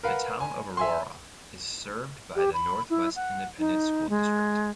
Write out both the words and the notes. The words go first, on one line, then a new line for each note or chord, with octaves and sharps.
The Town of Aurora is served by the Northwest Independent School District.
A#4 B4 F5 F#5
G#5
E5 G#5 C6
G4
B5
E4
F#5
D#4
G#3